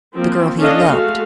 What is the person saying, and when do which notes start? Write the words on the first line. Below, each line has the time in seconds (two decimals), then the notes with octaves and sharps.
The girl he loved!
0.16 F3 A#3 C4
0.58 C#4 D4 A4 D#5 F5
0.88 G#3 A3 F#4 F5